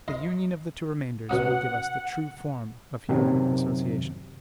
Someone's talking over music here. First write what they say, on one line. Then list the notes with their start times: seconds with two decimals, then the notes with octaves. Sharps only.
The union of the two remainders will give us the true form of human association.
0.08 D#5 C6
1.29 B2 C#4 F#5 D#6
3.09 F#2 C3 D#3 F#3